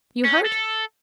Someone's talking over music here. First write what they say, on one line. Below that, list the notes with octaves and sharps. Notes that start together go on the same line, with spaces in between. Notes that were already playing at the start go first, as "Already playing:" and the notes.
You hurt?
C#4
A4